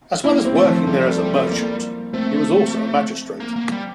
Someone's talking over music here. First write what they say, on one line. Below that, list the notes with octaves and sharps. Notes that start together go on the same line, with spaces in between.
As well as working there as a merchant, he was also a magistrate.
A#3 E4
C4
A3
F3
G3 A3
A3
A#3
A3 C4
A#3
A#3
G3